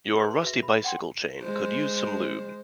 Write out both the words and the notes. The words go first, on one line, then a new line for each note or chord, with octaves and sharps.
Your rusty bicycle chain could use some lube.
G4 G#4 B4 C6
B4 C6
F#4 E5
B5
F#5 G5 C6
G#3 C5